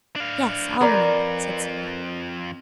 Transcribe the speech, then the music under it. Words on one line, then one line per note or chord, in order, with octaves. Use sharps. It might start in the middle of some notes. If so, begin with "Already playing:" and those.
"Yes, I'll remember," said Sylvie.
D4 F5
F2 A#4 B4 D5